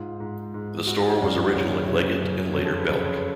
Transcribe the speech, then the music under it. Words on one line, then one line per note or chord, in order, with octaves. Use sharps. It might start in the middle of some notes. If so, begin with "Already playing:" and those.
The store was originally Leggett and later Belk.
Already playing: G#2 F4
G#2
G#2
G#2 F#4
G#4
F#5
C#5
F#2 C#3 D5
F#2 C#3
F#2 C#3 C#5
F#2 C#3
F2 C#3 C#5
A4
B4
F2 C#3
C#5